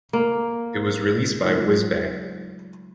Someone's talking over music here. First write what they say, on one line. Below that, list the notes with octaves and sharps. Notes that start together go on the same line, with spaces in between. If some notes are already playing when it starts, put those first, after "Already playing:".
It was released by Wizbang!
A#3
C#3 F#3 G#3 A3 D#4 F4